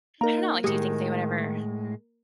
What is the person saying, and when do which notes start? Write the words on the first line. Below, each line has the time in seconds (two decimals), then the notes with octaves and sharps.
I don't know, like, do you think they would ever,
0.21 A#3 D#4 A#4 A#5
0.64 A2 D#3 G#3 G4 D#6 C#7